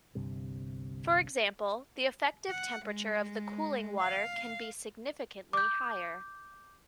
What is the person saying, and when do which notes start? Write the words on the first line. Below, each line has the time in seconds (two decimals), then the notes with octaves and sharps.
For example, the effective temperature of the cooling water can be significantly higher.
0.15 G1 C2 G2 C3
2.50 F#5
2.85 G#3
4.00 F5
5.53 D6 G6